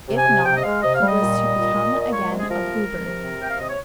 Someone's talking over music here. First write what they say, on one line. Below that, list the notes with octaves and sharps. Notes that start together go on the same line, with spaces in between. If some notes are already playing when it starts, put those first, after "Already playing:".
If not, he was to become again a Blue Bird.
C3
G#5
C3
C3 G5
D#5
G#3 F5
C3 D#5
F5
G3
D#5
A#2
G3
A#2
A#2
A#2
D#5
G#3 C#5
C3
G#4
F3 A#4
G#3
F3
C3
C3
C3 G5
F5
C3 D#5
C#5